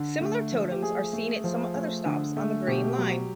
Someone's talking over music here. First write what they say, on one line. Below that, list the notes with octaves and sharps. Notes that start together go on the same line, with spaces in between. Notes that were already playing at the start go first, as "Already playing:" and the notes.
Similar totems are seen at some other stops on the Green Line.
Already playing: D3
A3
F3
G4
A3 G#4
A3
F3
A3
D3
A3
B2 G4
F#3